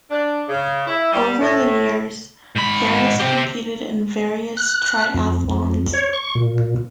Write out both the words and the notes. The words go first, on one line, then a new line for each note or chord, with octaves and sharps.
Over the years, Paris competed in various triathlons.
D4
C#3
E4
G3
A2
G#2 B5
C4 G4
F#6
F2
F2
C#5
C#6
A#2